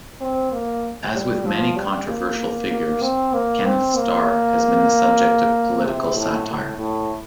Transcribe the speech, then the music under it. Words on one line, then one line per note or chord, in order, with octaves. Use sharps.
As with many controversial figures, Kenneth Starr has been the subject of political satire.
C4
A#3
G3
F3
G3
A#3
A#3
A#3
C4
A#3
C4
A#3
C3
A2
A2
A2